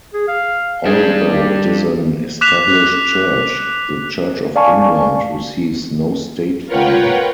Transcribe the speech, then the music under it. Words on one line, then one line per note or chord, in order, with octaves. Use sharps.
Although it is an established church, the Church of England receives no state funding.
G#4
F5
G3 D4 G#4
G4
D6 F#6 B6 E7 F7
D5 F5 G#5 A5 C#6
F4 A#4 B4 C#5 F#5 G5